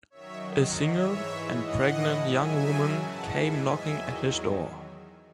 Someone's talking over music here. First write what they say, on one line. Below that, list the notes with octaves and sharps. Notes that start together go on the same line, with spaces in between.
A single and pregnant young woman came knocking at his door.
F#2 D#3 F#3 C#5 E5
D#5 F#5
G#2 E3 C#5 E5
A2 E3 D#5 F#5
F#2 C#3 F#3 E5 G#5
G#2 E3 F#5 A5
E5 G#5
E2 D#3 F#3 E5 G#5